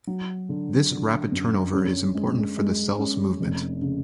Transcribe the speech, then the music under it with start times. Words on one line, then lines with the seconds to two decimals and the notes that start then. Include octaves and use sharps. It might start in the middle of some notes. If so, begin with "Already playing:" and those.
This rapid turnover is important for the cell's movement.
0.07 F#3
0.49 D3
0.91 D3
1.32 F#2
1.73 C#4
2.15 G#3
2.57 G#3
2.98 C#4
3.41 F1
3.81 C#3